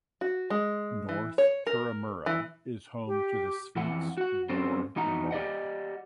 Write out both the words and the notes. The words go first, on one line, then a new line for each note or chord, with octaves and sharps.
North Turramurra is home to the sphinx war memorial.
F#4
G#3
E3
C#5
A#4
E3
G4
F2 E3 F#5
F#4 F#5
D3 F#3 C4 C#4 A4 C5
E2 B2 D#4 F#5 A#5
G4 D5 D#5 F#5